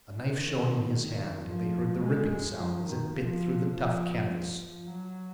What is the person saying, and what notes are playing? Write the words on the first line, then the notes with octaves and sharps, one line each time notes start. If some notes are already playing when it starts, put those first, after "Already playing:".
A knife shone in his hand, and they heard the ripping sound as it bit through the tough canvas.
D#3
F3
G#3
F3
D#3
F3
F3
F3
F#3